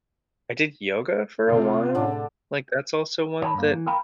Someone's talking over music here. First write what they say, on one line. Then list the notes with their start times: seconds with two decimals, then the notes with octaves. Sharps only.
I did yoga for a while. Like, that's also one that
1.48 C3 F4
1.95 A2 D3 D4
3.42 C#5 D#5 G#5 A5 B5
3.54 G2 A#3
3.73 E3
3.87 A#4 F5 G5 A#5 B5